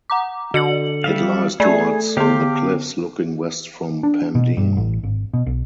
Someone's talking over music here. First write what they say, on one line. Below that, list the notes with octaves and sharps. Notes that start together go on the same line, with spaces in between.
It lies towards the cliffs looking west from Pendeen.
F#5 A#5 D6
D3 F#4 C#7 F#7
G3 E5 F5
A3 G#4 D5 G#6
D3 B3 G4 F5
D4
B2
G2
A1
G#1
B2
B1